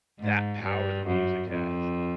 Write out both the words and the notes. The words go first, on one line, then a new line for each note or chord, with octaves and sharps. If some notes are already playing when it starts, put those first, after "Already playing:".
that power that music has.
G#2
G2
F#2
F2